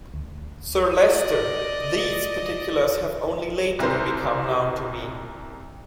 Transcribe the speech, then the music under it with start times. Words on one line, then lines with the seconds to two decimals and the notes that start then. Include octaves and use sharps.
Sir Leicester, these particulars have only lately become known to me.
0.14 D2
1.03 D5 D#5
3.79 C2 C5